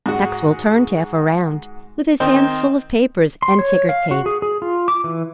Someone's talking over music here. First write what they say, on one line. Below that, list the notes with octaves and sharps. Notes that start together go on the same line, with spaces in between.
Maxwell turned half around, with his hands full of papers and ticker tape.
G#2 F#4
D#3 C4 D#4 C5
C6
C#5
F5
F#4
G#4
G#4
F4
D6
E3